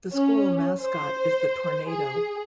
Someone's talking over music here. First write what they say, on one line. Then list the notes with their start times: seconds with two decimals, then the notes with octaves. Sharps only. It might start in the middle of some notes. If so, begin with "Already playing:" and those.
The school mascot is the Tornado.
0.14 C#4
0.82 C5
1.89 G#4